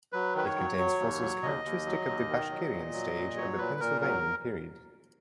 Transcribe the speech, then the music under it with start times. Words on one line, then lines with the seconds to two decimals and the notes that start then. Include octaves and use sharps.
It contains fossils characteristic of the Bashkirian stage of the Pennsylvanian period.
0.13 F#3 B4
0.35 D#3 B4
0.45 C#5
0.56 F#3
0.78 F#3
0.99 D#2
1.21 F#3
1.42 D#2 D#5
1.64 D#2
1.86 F#3
2.07 D#2
2.29 D#3
2.51 F#3
2.72 A#2
2.93 F#3
3.15 A#2
3.37 F#3 C#5
3.58 A#2 B4
3.80 A#2 A#4
4.01 F#3 A#4